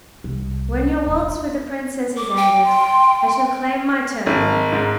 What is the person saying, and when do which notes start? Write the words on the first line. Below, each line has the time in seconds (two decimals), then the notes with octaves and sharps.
When your waltz with the Princess is ended I shall claim my turn.
0.24 C2
1.07 D#1
2.17 D6
2.36 G5
2.65 C6
4.26 G#1
4.72 G#2